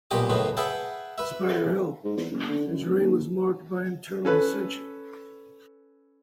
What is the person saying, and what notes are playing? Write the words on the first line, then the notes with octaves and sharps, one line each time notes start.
Despite her help, his reign was marked by internal dissension.
B1 A#2 B3 G4 D#5 D6
F#2 A2 C#3 B3 D#4
G#4 B4 E5 F#5 G5 A5
B4 E5
G#2
E2
F#1
D3
F#2
F1
D#2
C#4 A4 B4